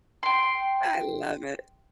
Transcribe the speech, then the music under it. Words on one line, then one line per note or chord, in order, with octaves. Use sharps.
I love it.
G5 C6